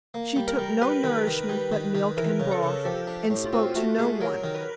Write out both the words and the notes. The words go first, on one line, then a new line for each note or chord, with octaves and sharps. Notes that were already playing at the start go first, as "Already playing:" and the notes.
She took no nourishment but milk and broth and spoke to no one.
A#3
G3
A#4
G3
G3 B4
D#3
D#3
G3
D#3
D#3
E3 A#4
C#3
A4
C#3
F3 G4
D4
A2
F4
C4 F#4
A3 F#4
A3 G#4
F#3 A#4
D#3
B4